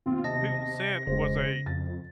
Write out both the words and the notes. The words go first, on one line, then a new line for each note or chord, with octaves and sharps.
Putin sent was a
D#2 B2 C4 F4
C3 D#5 A5 A#6
E1 C#3 G#3 C5
F2 A6